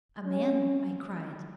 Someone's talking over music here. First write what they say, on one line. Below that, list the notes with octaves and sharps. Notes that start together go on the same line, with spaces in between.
"A man?" I cried.
C#4